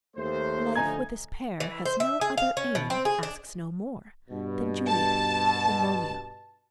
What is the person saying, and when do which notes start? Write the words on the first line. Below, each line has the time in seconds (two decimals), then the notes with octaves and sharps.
Life, with this pair, has no other aim, asks no more, than Juliet,--than Romeo.
0.16 D#2 A3 C5
0.76 D3 F3 D#4 G#5 A#5 G#6
1.60 E3
1.85 C5
2.00 E5
2.21 G#4
2.37 F5
2.57 C#4
2.75 B2
2.90 C4
3.05 G#4
3.23 D4
4.30 G2 B2
4.87 A5